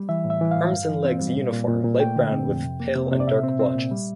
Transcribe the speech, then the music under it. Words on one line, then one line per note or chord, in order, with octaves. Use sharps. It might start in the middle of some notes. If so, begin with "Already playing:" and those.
Arms and legs uniform light brown with pale and dark blotches.
Already playing: G3
E3 E5
A2
E5
E3
F5
A2
G2
E3
C4
G3
A#2
A#2
A#2
A#2
A3 G5
D3
C4
F2
C3
A#3
C3
C3
D5
A#2 E5
C4
C4
A#2
G3